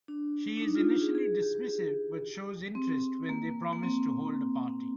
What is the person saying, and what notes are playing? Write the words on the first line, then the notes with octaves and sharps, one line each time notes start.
She is initially dismissive, but shows interest when they promise to hold a party.
D4
D4
D#4
F4
G4
G#4
G#4
G4
C4
A#3
A#3
C4